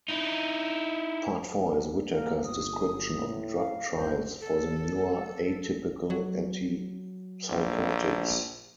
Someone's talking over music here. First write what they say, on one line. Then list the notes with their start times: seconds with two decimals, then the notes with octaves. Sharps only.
Part Four is Whitaker's description of drug trials for the newer atypical antipsychotics.
0.08 D#4 E4
2.12 A#3 A#4
2.45 G1 D#6
3.18 A2
3.55 F5
3.96 G1 C5
4.41 A4
6.10 F#3
7.49 A#1